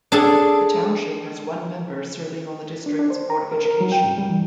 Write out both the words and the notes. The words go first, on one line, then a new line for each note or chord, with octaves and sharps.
The township has one member serving on the district's Board of Education.
D4 G#4 A4
D4
D4
C5
A#5
A#4
A#4
F#3
G5
G2
G3
E3